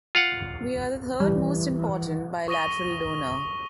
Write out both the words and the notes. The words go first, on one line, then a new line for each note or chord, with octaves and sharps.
We are the third most important bilateral donor.
F4 F5 F#5
E3 G3
C#6 D#6 A#6 D#7 G7